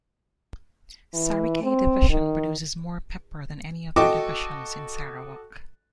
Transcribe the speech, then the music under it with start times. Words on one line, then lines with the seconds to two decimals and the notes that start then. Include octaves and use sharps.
Sarikei Division produces more pepper than any other divisions in Sarawak.
1.14 E3
1.64 C4
2.10 D#3
3.96 F#4 A4 D#5 G5 C#6 D6